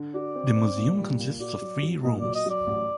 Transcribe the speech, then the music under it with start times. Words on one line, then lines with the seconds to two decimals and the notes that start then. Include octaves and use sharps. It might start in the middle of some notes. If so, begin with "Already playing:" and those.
The museum consists of three rooms.
Already playing: D3
0.14 F#4 D5
0.35 C4
0.56 C4
0.77 A#2
0.98 G3
1.19 A#2
1.40 F#4 D5
1.61 F#3
1.82 F#3
2.03 A#2 D#5
2.20 F#3 D5
2.35 D#5
2.46 F#3 D5
2.67 A1